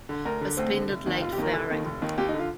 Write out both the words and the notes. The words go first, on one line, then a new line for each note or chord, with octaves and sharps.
A splendid late flowering.
D3
D2 A#4
D3
D2 C4
D3
F1
D#2 D#3
F1 F4
G4
D#2 D#3 A#4
F1 A4
D#2 D#3
F1
D#2 D#3
D#2 G4
D#4
D3
F4